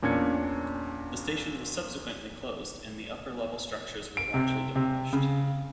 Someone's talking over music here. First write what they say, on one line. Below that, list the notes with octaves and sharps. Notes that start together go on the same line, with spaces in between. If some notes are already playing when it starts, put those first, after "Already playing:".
The station was subsequently closed and the upper-level structures were largely demolished.
E2 A#2 C#4 D4 G#6 C#7
D7
C3
C3
C#3